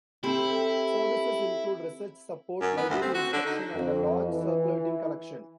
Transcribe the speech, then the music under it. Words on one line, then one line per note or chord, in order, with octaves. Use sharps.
Services include research support, library instruction and a large circulating collection.
C4 E4 G4 A4
F#2
B3
D2
C4
F#4
D3
D#4
F2
E3